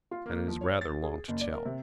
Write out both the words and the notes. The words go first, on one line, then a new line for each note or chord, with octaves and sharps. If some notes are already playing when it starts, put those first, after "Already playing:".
And it is rather long to tell.
F4
A#3
F3
C#5
A6
G#4
F#1
D5
A#4
C3